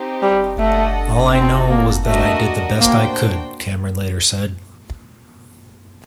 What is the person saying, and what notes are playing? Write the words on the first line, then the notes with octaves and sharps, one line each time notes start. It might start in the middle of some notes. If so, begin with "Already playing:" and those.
"All I know was that I did the best I could," Cameron later said.
Already playing: C4 D#4 G4
G3
A3 D4 A4 D#5 F#5
C4 D#4 F#4 A4
A#3
A3 D4 F#4 A#4 D#5
A#3 D4 F#4 C5 G5